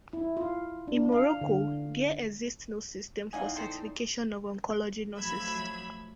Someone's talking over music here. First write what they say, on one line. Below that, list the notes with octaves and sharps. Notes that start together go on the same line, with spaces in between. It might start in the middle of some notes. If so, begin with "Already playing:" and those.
In Morocco, there exists no system for certification of oncology nurses.
E4
F4
D4
F5
D3
E2 D#4 F4 D#5 F#5 G#5
A4 C5 G5
F3 F#3 A3 B5 E6 G#6